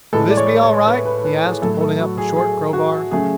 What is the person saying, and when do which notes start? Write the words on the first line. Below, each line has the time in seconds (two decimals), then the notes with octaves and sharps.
"Will this be all right?" he asked, holding up a short crow-bar.
0.13 A2 E3 G#3 A4
0.30 D5
0.37 C#5
0.63 C#5
0.87 B4
1.05 B4
1.24 B4
1.43 G#4
1.62 A2 F#3 A3 A4
1.81 A4
1.99 F#4
2.18 G#4
2.36 G#4
2.73 F#4
3.11 C#3 F#3 A3 G#4